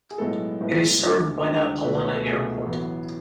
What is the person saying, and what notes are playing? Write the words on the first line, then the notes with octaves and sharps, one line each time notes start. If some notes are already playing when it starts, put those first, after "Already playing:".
It is served by the Palana Airport.
G#4
B1 A2 G#3 B3 A4
B1 A2 G#3 B3
D2 D3 G#3
D2 D3 G#3
C#2 B2 A3 B4
B4
C#5
A4
C#2 B2 A3 G#4
A1 A2 F#3 B3